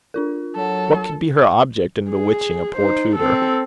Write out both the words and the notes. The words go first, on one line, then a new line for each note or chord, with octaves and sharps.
What could be her object in bewitching a poor tutor?
D4 F4 A#4
F#3 A4
G#4
D#4 C5
C4 A4